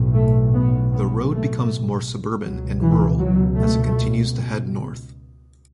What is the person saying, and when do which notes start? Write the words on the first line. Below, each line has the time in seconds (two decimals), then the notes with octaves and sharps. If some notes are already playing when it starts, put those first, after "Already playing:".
The road becomes more suburban and rural as it continues to head north.
Already playing: B1 A2
0.15 A3
0.54 B3
0.92 B3
1.30 A3
2.43 C#2 B2 F#3
2.82 E3
3.19 F#3
3.58 A3